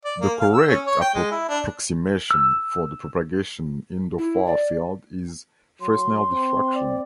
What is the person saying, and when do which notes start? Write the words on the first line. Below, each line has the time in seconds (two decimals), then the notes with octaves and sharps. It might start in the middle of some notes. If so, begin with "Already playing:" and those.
The correct approximation for the propagation in the far field is Fresnel diffraction.
0.05 D5
0.21 A#3
0.40 F5
0.53 E6
0.68 C#4
0.87 C#5
1.01 G5
1.14 G#3
1.31 E4
1.49 D4
2.31 E6
4.18 E4
4.46 D5
5.81 F#3 C6
6.29 C4
6.74 D5